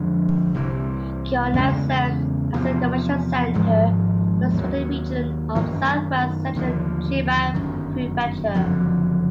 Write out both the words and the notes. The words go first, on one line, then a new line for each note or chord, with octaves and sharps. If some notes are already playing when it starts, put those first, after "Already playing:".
Kyonan serves as a commercial center for the surrounding region of southwest-central Chiba Prefecture.
Already playing: F2 D3 F3 G#3
C2 C3 E3
E2 C#3 E3 G#3
E2 C3 F3
G#1 G#2 F3 G#3
D#2 D#3 F#3
F#2 D#3 F#3 A#3
D#2 D3 F3
G1 F#2 D#3
F#1 F2 D3 F#3